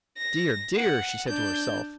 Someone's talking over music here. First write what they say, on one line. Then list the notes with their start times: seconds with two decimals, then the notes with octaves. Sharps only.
'Dear, dear!' she said to herself.
0.18 A#6
0.76 F#5
1.28 D4 G6